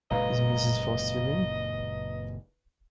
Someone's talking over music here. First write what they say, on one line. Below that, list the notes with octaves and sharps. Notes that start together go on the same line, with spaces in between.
Is Mrs. Foster in?
F#1 A#2 G#3 B4 D#5 F5 A#5